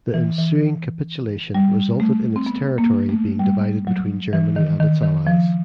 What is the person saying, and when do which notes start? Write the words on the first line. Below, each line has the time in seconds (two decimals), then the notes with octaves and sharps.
The ensuing capitulation resulted in its territory being divided between Germany and its allies.
0.14 E3
0.38 E3
1.55 G3
2.00 A3
2.36 C4
2.46 B3
2.78 A#3
3.09 A3
3.39 G3
3.87 F#3
4.33 E3
4.56 D#3
4.80 D#3
5.03 D#3
5.27 F3